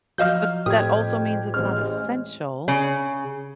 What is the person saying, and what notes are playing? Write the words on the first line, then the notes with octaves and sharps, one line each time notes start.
but that also means it's not essential,
F3 F#3 D#5 F5 F6 G6
F2 A2 G4 D#6 G#6
A1 G#3 C4 F6
C#3